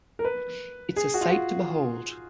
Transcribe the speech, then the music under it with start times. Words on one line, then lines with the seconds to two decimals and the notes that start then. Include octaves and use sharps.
It’s a sight to behold.
0.19 A#4
0.25 B4
0.96 G#4
1.14 F#4
1.21 F4
1.30 F#4